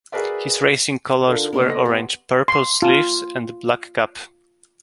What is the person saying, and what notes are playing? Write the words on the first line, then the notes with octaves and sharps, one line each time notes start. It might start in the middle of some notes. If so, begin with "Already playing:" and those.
His racing colours were orange, purple sleeves, and black cap.
F#4 G#4 A#4 B4 D5 E5
D3 D4 F4 A#4
D#4
C#3 A#3 B3 D4 F#4 A#4 D5 D#5
A4 F#5 C6 A#6
G2 B3
C6
F4